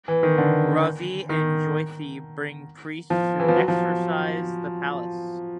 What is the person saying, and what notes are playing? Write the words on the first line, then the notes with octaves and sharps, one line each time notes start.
Ravi and Jyothi bring priests to exorcise the palace.
E3
D#3
D3
D#3
F3
E3
F3
F#3
F3